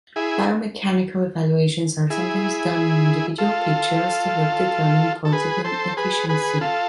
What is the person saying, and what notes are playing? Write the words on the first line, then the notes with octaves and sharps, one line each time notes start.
Biomechanical evaluations are sometimes done on individual pitchers to help determine points of inefficiency.
E4 G#4
E4 G#4
F4 A4
A4
G#4 B4
A4 C5
G#4 B4
G#4 B4
F4 A4